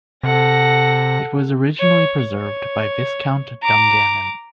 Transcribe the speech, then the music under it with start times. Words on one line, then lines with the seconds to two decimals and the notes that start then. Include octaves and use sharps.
It was originally preserved by Viscount Dungannon.
0.23 C3 A4 F#5 A#6
1.80 C#5
2.35 C#5
3.63 A#5 D6